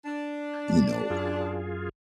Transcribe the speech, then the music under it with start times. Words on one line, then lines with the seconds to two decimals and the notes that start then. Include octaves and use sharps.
you know,
0.05 D4
1.10 F#2 F4 G#4